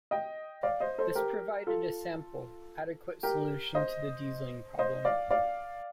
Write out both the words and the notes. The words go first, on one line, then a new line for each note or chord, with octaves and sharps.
This provided a simple, adequate solution to the dieseling problem.
D#5 G5
D5 F5
C5 D#5
A4 C5
G4 A#4
F4 A4
G4 A#4
C5 D#5
C5 D#5
D5 F5
D5 F5